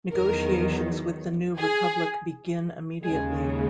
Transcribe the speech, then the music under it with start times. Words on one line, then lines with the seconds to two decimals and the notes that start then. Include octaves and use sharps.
Negotiations with the New Republic begin immediately.
0.13 E2 D#3 F#3 A#4
1.59 G#4
3.04 D#2 C#3 G#3 G#4